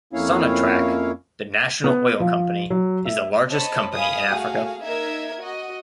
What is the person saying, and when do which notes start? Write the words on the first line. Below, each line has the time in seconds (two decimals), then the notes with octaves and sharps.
Sonatrach, the national oil company, is the largest company in Africa.
0.13 F2 A#3 C#4 E4 C#5 F5
1.84 B3
2.20 F3
2.70 F#3
3.05 E5
3.50 C5 C#5 D#5 A5 B5
3.94 F5 G#5 B5 D#6
4.30 A3 F#4 G#4 F5
4.81 A#3 D#4 A#4 E5 G#6
5.41 F#4 D#5